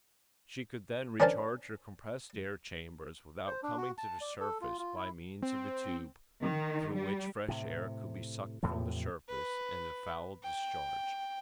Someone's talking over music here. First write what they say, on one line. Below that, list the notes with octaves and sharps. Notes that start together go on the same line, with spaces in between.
She could then recharge her compressed-air chambers without coming to the surface by means of a tube, through which fresh air could be sucked from the surface, and the foul discharged.
C#4 D4 A#4 C5 G#5 A5
C5
D4
F#4
A5
D5
A4
F4
F4
E4
C4
D#3
G3
A2 C3
E2 A2 C3 F3
B4
G5